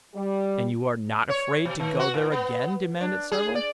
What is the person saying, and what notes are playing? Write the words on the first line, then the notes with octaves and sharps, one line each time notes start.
"And you are not afraid to go there again?" demanded several.
G3
C#5
B2
D#3
F#4
A2
B3
D4
G#4
D5